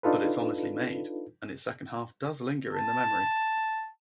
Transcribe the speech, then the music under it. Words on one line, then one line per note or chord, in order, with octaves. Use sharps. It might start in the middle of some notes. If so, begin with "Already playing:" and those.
But it's honestly made, and its second half does linger in the memory.
D4 D#4 F4 A4 B4
A5